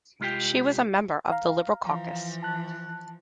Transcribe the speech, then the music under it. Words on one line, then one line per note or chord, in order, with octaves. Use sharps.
She was a member of the Liberal caucus.
C2 G#3 F4 G4 G5
F5 A#5
E3 F3
A5 F#6